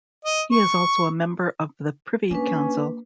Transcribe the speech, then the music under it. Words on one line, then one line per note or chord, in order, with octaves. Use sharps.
He is also a member of the Privy Council.
D#5
C#6
A#3 C#4 D4 B4